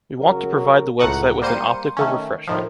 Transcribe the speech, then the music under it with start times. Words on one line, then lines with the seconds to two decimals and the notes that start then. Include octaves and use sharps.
We want to provide the website with an optical refreshment.
0.19 C#3 F#3 A#4
0.99 C#2 A2 A3 F#5 A#5
1.42 G3 A#3 C5 C#7 D#7
1.97 D#3 A3 C#4
2.47 A2 D#3 F3